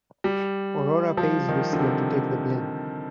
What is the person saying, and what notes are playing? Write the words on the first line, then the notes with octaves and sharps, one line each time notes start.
Aurora pays Lucia to take the blame.
G3
F3
D#3
D3
C3